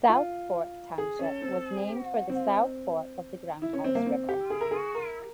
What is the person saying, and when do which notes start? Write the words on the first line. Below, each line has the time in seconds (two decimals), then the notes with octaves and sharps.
South Fork Township was named for the south fork of the Groundhouse River.
0.09 F4
0.98 G#4
1.19 C#4
1.42 C4
2.30 C4
3.62 E4
3.73 C#4
3.84 C4
3.95 A#3
4.06 C4
4.29 G4
4.50 G#4
4.61 A#4
4.71 G#4
4.95 A#4